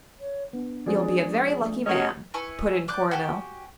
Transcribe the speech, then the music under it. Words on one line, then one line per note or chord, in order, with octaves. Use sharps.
"You'll be a very lucky man," put in Coronel.
C#5
B3 D4
F3 G#3 C#4 G#4 C5 D5
A3
F#3 C#4 F#4 G4 D#5
E4 B4 G#5 C#6
D5 D6 F#6 G6
F#4 G4 G#5